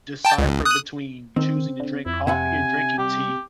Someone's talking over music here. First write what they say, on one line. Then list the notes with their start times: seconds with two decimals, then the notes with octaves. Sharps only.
decipher between choosing to drink coffee and drinking tea?
0.25 G5 A5
0.38 C#2
0.65 D#6 F#6
1.36 D#3 C4
1.80 D3
2.06 F2 E4
2.27 C3 E5 F#5 G#5
2.98 G3 G4